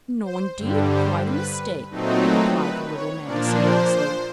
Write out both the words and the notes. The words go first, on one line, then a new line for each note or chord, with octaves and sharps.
"No, indeed; quite a mistake," replied the little man, seriously.
C5
G2 D3 G3
C5
B4
A#2 F#3 A3 C4 D#4
B4
B4
C#5
A#2 F3 A#3 D4 D5
C5